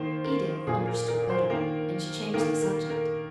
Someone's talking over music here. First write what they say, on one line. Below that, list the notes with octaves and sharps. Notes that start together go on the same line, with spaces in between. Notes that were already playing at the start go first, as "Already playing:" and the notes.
Edith understood better, and she changed the subject.
Already playing: D#3 A#3 C5
A#4
A#2 A#3 G#4
A#4
A#4
C5
D#3 A#3 A#4
D#3 A#3 A#4
A#4
A#4